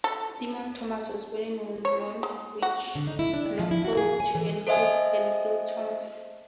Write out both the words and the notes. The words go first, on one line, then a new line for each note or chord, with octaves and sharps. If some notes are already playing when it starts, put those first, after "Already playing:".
Simon Thomas was born in Norwich, Norfolk to Andrew and Gill Thomas.
A4
C#5
G#3
F#4
D3
D#4
E4
D4
C3
F3
E4
F#4
G#4
G#5
E3
A4 C5 D#5 E5 G#5